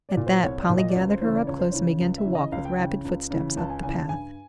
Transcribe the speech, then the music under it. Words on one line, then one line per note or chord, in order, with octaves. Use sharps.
At that Polly gathered her up close and began to walk with rapid footsteps up the path.
D5
A#2
C5
C2 C#5
D5
A#2
D#5
D5
C#2 C#5
C5
C#3 E3 C5
D5
C#2 C#5
C5
C#3 E3 C#5
C#2
E5
C#3 E3
D#5
C#2 F5
G5
C#3 E3 G5
C#2
C#3 E3
C#2 A5
G#5
C#3 E3 G#5
A5
G2 G#5